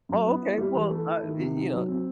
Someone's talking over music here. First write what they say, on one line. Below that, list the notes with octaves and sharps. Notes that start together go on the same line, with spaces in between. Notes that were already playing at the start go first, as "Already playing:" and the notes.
oh, okay, well, uh, y you know, eh
F#2
B3
E4
G3
E3
A3
E4
D#3
C3
D#4
F#3
C4